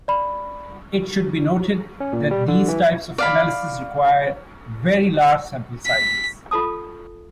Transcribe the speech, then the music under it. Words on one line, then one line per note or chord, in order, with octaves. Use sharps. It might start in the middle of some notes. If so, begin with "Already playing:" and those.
It should be noted that these types of analysis require very large sample sizes.
D5 B5
C#4
A#2
G3
D3
E3
D5 F5 B5
B6
F4 A4 A5 D#6